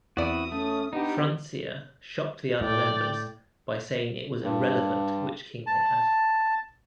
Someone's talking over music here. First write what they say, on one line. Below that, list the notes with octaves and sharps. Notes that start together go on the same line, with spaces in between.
Francia shocked the other members by saying it was irrelevant which king they had.
E2 C4 E4 F#4 D5 D#6
A3 C#4
B3 D4 D#4 G4
A2 D5 G5
G2
A5